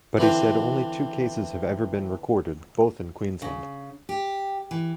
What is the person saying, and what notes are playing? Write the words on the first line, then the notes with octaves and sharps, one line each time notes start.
But he said only two cases have ever been recorded, both in Queensland.
D3 E3 C4 C5
C#3
G4
E3